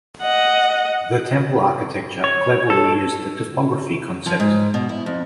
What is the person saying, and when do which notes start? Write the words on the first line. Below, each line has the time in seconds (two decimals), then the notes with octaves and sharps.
The Temple Architecture cleverly used the topography concept.
0.22 D#5 F#5
2.24 C#5
2.70 A4
4.26 F3
4.40 G#2
4.74 B2
4.89 E4
5.06 F2